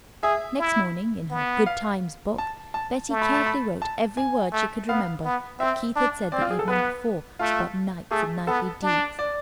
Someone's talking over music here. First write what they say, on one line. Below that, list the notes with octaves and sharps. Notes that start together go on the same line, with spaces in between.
Next morning in her "Good times" book, Betty carefully wrote every word she could remember that Keith had said the evening before, about knights and knightly deeds.
G#4 E5
E4
B3
F5
A5
A5
A3
B5
A5
B5
A5
G#5
A3
B3 F5
B3
C4 E5
D4
C4 D5
F4
G#4
A4
B3 B4
A3 F4
A3 G#4
B3 A4
D4
D5